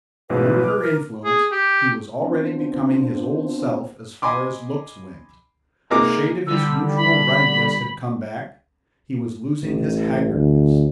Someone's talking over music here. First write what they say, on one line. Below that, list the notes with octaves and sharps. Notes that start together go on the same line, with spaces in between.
Under her influence he was already becoming his old self as far as looks went. A shade of his usual ruddiness had come back; he was losing his haggardness.
A1 G#2 B2 B4
D6 F6
A#4
G#4
G4
B3 C4 D4 F4 C5
D#5 G#5 B5 C6 D6
C3 G#3 A#3 D#4 A#4 D6
D3 G3 E6
B5
A1
D2